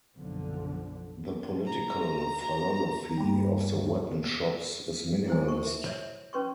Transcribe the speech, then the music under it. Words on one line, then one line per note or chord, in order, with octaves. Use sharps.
The political philosophy of the Weapon Shops is minimalist.
F#1 B1 D3 F3
A#5
G2 G3
E4 C5 G#5
C#6
E5
C#5 E5
C#4 B4 C6 C#6